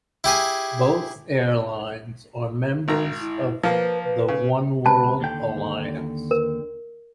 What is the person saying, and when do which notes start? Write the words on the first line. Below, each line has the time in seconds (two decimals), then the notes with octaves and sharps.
Both airlines are members of the Oneworld alliance.
0.24 E4 G4 G#4 G#5
2.88 G#1 A#5
3.20 E4
3.64 F3 A#3 B4
4.03 B4
4.28 C#3
4.86 C#2 B4 A5
5.20 D#2 D3 G5
6.31 A#4